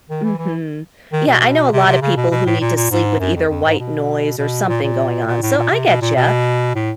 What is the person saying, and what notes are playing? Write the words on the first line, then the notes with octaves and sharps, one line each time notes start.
Mhm. Yeah, I know a lotta people who need to sleep with either white noise or something going on, so I get ya.
D#3
E3
E3
D#3
B2
C3
C3
C#3
B2
B2
A2
A#2
A#2
G#2
F#2
F2
F2
G#2
B2
B2
A#2
A#2
A#2
A2
A#2
C3
B2
A#2
B2
A2